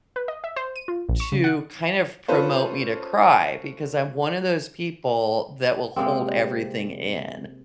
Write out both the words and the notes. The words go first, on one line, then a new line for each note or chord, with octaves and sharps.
To kind of promote me to cry, because I'm one of those people that will hold everything in.
B4
D#5
E5
C5
D#7
F4
A#1
C#6
C#3
F#5
C#4 F4 A4 B4 C5
C3 G#3 A#3 C4